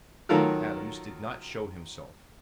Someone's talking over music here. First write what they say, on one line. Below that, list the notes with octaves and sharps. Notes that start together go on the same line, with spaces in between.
Adams did not show himself.
D#3 F#3 F4 A4 A#4